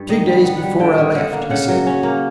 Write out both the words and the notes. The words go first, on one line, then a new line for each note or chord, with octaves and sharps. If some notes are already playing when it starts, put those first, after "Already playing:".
"Two days before I left," he said.
Already playing: G2
D#3 D#5
G3
B3
F#5
G3
D3 G5
D3
D3 F#5
A#3
C#3 F#5
F#3
C#4
A#3